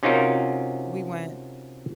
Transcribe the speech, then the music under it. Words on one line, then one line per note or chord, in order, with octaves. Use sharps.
We went
C3 C#4 D#4 F4 F#4 A#4